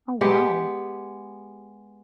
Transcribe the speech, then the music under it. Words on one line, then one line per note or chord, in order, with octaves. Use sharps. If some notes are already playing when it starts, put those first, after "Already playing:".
Oh, wow.
G#3 B3 G4